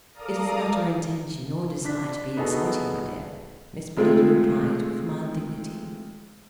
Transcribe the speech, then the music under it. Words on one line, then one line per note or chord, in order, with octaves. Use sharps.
"It is not our intention or desire to be exciting, my dear," Miss Belinda replied with mild dignity.
A4 A#4 D5 F5 A#5 D#6
D4 B6
B3 D#4 F#4 G#4 A4
C3 F3 G#3 A3 F4